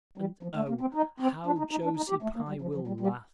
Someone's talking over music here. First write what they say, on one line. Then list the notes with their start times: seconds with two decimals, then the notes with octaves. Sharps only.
And oh, how Josie Pye will laugh!
0.18 G3
0.43 F3
0.56 A3
0.69 A#3
0.81 C4
0.94 D#4
1.20 C4
1.46 D4
1.58 D#4
1.71 D#4
1.84 D4
1.97 D#4
2.10 G4
2.22 A3
2.36 A#3
2.49 G3
2.62 F3
2.75 F3
2.87 G3
3.00 G3